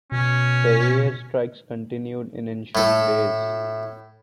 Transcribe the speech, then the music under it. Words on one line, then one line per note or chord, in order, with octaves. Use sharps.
The air strikes continued in ensuing days.
B2 C#4
A2 A4